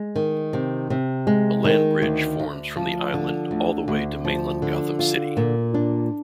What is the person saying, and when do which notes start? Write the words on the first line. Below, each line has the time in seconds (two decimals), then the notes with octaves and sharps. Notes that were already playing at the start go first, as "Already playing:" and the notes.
A land-bridge forms from the island all the way to mainland Gotham City.
Already playing: G#3
0.16 D#3
0.53 C3
0.90 C3
1.27 G#3
1.65 D#3
2.02 D2
2.39 D2
2.76 F3
3.14 D3
3.51 D2
3.88 D2
4.25 F3
4.62 D3
4.99 F4
5.37 A#2
5.74 D4